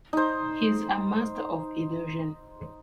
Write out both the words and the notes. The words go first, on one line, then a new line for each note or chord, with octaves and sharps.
He is a master of illusion.
D#4 C5